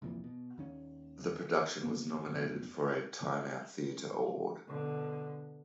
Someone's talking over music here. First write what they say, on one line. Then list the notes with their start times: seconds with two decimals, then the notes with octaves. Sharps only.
The production was nominated for a Time Out Theatre Award.
0.02 C2 F2 A#2 E3
0.24 B2
0.58 D#2 D#3 C#4
1.83 F#2 C#3 A#3 B3
2.26 F1 F#2 B2
4.68 B2 D3